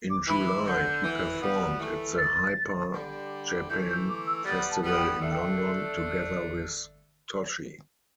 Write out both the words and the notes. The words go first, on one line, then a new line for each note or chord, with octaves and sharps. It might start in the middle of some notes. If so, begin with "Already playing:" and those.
In July, he performed at the Hyper Japan Festival in London, together with Toshi.
D6
E3 B5
D6
D3 G6
E3
G3 B3
E3 A3
A6
D3 G3
E3 A3 G6
G6
D6
E6
G3 B3 A6
A5
G3 B3
G5
A3 D4 E5
G5
E5